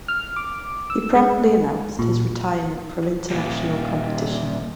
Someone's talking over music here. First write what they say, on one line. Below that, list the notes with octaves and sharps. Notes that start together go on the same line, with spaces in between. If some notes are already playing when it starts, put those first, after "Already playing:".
He promptly announced his retirement from international competition.
F6
D6
E6
G#3
A#2
D#2 A#2